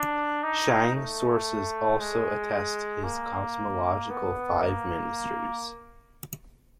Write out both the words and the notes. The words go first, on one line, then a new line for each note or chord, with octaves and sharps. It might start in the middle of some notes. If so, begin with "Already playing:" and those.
Shang sources also attest his cosmological Five Ministries.
Already playing: D4
D#4
A3
G#3
A#3
B3
A#3